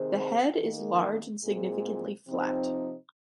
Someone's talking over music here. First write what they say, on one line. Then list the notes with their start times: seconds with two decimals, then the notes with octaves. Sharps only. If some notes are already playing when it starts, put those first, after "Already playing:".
The head is large and significantly flat.
Already playing: C3 D#3 C4 G#4 C5
0.58 D#2 D#3 A#3
1.42 A#2 G#3 C4 G#4
2.26 C3 F3 C4 D#4